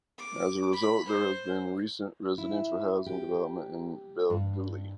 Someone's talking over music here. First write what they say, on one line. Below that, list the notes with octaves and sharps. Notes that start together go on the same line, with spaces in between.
As a result, there has been recent residential housing development in Belgooly.
D6
B5
C5
E4
G4
G2